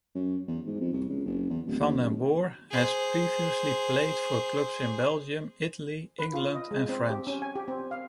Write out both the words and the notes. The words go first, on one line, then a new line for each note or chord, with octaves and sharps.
Vanden Borre has previously played for clubs in Belgium, Italy, England and France.
F#2
E2
G#2
F2
C2
C#2
F#1
E2
D1
D#2
F#1
G#4 C5
B4
F4
D#5
G#3
C4
G4
C#4
G#5
G4
C4
F5